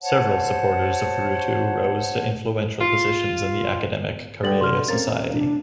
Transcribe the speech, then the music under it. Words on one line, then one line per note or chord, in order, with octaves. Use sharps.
Several supporters of Ruutu rose to influential positions in the Academic Karelia Society.
C5 C#5 F#5 A5
F4
D3 G3 G5 A6 F#7
C3 F#3 C6 F6
A3 A#3 C4 C#4 A#4 A#5 A6
D4